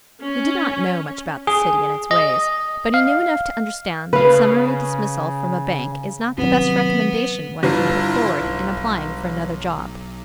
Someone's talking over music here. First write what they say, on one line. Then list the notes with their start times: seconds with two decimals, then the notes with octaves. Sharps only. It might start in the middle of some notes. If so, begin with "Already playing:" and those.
He did not know much about the City and its ways, but he knew enough to understand that summary dismissal from a bank is not the best recommendation one can put forward in applying for another job.
0.23 C#4
1.47 G#4
2.11 D#5
2.94 F5
4.13 C#3 B4 F5
6.38 C3 D#3 F#3 B3
7.63 G1 D4 E4 F4
8.40 B1